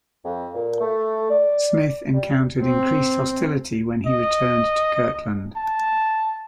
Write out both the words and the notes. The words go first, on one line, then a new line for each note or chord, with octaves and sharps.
Smith encountered increased hostility when he returned to Kirtland.
F2
A#2
A3
D5
G3
C4
D#5
A5